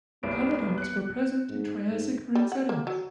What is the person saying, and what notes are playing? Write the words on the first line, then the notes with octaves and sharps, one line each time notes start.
Conodonts were present in Triassic marine sediments.
F#1 C2 B3 D7
F#6 C#7
G#2
G#2
G3
F#5
A#3
F#3